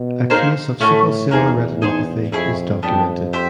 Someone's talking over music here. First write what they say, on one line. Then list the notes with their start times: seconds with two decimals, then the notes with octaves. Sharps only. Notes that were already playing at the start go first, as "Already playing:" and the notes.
A case of sickle cell retinopathy is documented.
Already playing: B2
0.30 A#3 D#4 G#4 C5
0.80 A2 A3 C#4 F#4
1.31 E2 A#3 D#4 G#4
1.82 D#4 G#4 C5
2.32 F2 C4 E4 G#4 C#5
2.83 F2 B3 D4 G4
3.33 G4 C5 E5